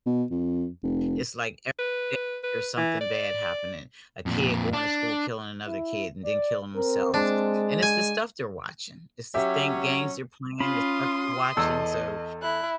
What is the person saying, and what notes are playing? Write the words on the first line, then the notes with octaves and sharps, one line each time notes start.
it's, like, every day there's something bad happening, a kid going to school, killing another kid, and then killing themselves, and it's the stuff they're watching, it's this thing games they're playing, the stuff they're watching, so
B2
F2
F1
B4
B4
E3
D5
F2 A#2
D4
E4
D5
C4 A#4
G#3 D4
G#5
F#3 C#4 G4 E5
C#4 F4 B5 C6 D#6
E2 A4 D#5 E6
E4 F#6